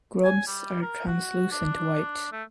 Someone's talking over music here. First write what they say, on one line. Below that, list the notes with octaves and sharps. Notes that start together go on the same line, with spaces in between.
Grubs are translucent white.
G#5
G3
A#4
F#4
D4
A3